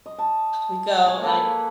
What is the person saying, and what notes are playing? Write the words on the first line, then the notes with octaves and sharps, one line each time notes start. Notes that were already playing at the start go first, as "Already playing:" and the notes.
we go I
D#5
A5
G#3 C#5 G#5
A#3 A4 B4